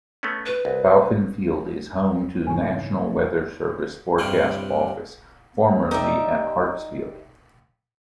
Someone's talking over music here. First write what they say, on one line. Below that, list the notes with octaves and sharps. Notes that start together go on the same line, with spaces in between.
Falcon Field is home to the National Weather Service forecast office, formerly at Hartsfield.
A3 B3 C#4
B4
C2
G#2 C#3 E3 E4 C#5 G#5 C#6
G2 C3 F4 G4 B4 C6
D#4 G4 D5 E5